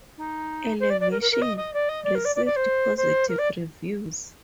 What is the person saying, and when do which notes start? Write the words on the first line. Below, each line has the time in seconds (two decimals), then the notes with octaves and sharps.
"Elevation" received positive reviews.
0.18 D#4
0.80 C5
0.90 D5
1.00 D5
1.11 A#4
1.21 A#4
1.31 A#4
1.41 D#5
1.57 D#5
1.73 D5
1.89 D#5
2.04 D5
2.15 A#4
2.25 D5
2.35 D5
2.45 D5
2.56 C5
2.97 C5
3.28 A#4
3.38 D5